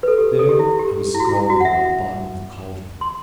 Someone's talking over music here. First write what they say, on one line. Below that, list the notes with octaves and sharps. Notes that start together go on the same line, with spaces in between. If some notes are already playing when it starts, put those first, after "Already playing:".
There I was scalded by the bottom of the caldron.
B4
A4
G4
A4
A4
G4
E4
G4
E4
F#4
E4
E4
F#4
F#5
E5
C6